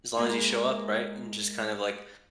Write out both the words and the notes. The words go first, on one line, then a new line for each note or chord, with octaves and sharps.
As long as you show up, right, and just kind of, like,
G#3 A#3 E4